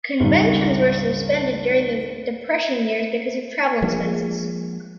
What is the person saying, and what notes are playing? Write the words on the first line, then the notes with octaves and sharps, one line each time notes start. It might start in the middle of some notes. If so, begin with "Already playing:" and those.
Conventions were suspended during the Depression years because of travel expenses.
G#1 C#2 D#3 G3
F3 G#3 A#3 D4